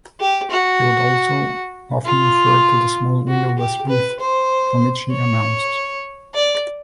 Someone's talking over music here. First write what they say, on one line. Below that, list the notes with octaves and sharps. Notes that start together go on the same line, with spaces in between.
He would also often refer to the "small, windowless booth" from which he announced.
G4
F#4
F4
F#4
G4
B4
C5
C#5
D5